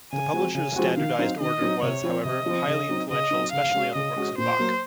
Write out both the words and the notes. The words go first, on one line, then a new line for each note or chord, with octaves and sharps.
The publisher's standardized order was, however, highly influential especially on the works of Bach.
C#3 G#5
F3 G#3 C4 F#4
C#3 G#5
F3 G#3 C4 F#4
D#3 F5
F#3 C4 D#4
D#3 D#5
F#3 C4 D#4
C3 C#5
F3 C4
C3 D#5
F3 C4
C#3
F#3 C4 D#4
C#3 D#5
F#3 C4 D#4
C#3 F5
G#3 C#4 F#4
C#3 D#5
G#3 C#4 F#4
A#2 C5
F#3 A#3